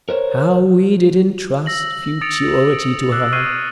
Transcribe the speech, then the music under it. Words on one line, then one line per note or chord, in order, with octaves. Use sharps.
How we did entrust Futurity to her!
A#4 C5 C#5
E6 A#6 F#7
D#6 A6 C#7 D7 F7
D7
D6 E6 F#6 C7
C#6 F6 F#6 G#6 C7 D#7
D#6